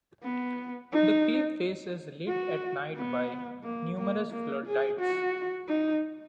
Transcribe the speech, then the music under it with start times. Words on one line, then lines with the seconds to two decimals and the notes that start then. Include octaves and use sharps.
The cliff face is lit at night by numerous flood lights.
0.24 B3
0.92 D#4
2.28 F#4
2.96 B3
3.64 A#3
3.98 A#3
4.32 A#3
4.67 G#4
5.00 F#4
5.68 D#4